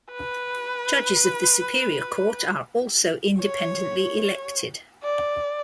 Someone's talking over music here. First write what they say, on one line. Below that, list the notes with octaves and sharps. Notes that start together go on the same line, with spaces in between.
Judges of the superior court are also independently elected.
B4
C#5
D5